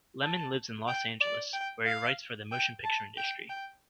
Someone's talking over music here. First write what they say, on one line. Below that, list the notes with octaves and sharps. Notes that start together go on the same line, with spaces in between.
Lemon lives in Los Angeles where he writes for the motion picture industry.
A5
G5
D5
G5
F5
G5
A5
G5
G5